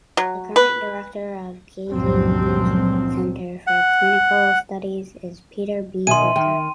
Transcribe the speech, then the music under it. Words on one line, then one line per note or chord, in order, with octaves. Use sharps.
The current director of Geisinger's Center for Clinical Studies is Peter B. Berger.
F#3
B4
C#2 G2 A#2 F3 F#3 C4
F#5
B2 D#3 D#5 E5 G#5 C6 D#7
D#3 G5